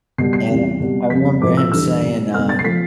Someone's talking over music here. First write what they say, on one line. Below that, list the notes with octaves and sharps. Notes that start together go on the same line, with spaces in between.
and I I remember him saying, um,
B2 G3 C7
C7
E2 C3 E3 G3
B2 G3
F2 C3 G3 B6
A2 F3 A3 D6
E6
E2 D3 G3 E6
B2 G3
B2 A3 F6
A6
C7
F3 A3 B6